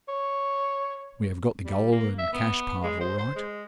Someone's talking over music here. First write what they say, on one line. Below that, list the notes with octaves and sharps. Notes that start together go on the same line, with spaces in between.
'We have got the gold and cash part all right.
C#5
G3
A#3
E5
B3
G#3
C5
C5
G#3